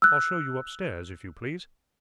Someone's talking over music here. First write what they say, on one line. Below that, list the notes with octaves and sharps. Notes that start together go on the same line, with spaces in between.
I'll show you upstairs, if you please.'
E6 F#6